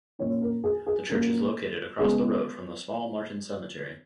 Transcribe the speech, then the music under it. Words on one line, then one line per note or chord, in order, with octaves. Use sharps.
The church is located across the road from the small Martin Cemetery.
A#2 F3 A#3 C#4 C#5
A#4
G#4
G#4
A#2 F3 A#3 C#4 A#4
C#3 G#3 B3 G#4